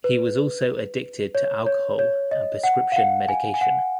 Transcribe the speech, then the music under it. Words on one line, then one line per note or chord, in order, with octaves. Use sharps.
He was also addicted to alcohol and prescription medication.
B4
C#5
C#5
C#5
D#5
F#5
F5
F#5
G#5
G#5
F#5